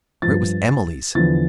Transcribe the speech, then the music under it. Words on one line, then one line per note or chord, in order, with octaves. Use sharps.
For it was Emily's!
G2 F3 A6
E2 D3 F3 A6